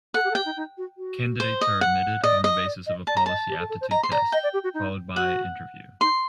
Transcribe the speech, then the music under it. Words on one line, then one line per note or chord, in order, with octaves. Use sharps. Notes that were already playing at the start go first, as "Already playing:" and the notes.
Candidates are admitted on the basis of a Policy Aptitude Test, followed by interview.
A4 F#5
G4
A4
G4 G5
D#4
D#4
F#4
F#4
C5
D#5
F#5
D5 D#5
D#5
D5
D#5
D5 A5
A#5
D#5 A5
G4
A4
A4
C5
D#5 A#5
C6
D5 A#5
D#5 G5
D5
G4
F#4
D#4
F#4 F#5
D#4 C6